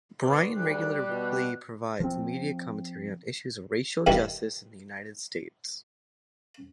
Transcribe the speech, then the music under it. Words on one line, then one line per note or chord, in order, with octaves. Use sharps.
Bryan regularly provides media commentary on issues of racial justice in the United States.
B2 D5 C6
D2 G3 F#6
B2
F3 C4
G2 D#3 G3 E4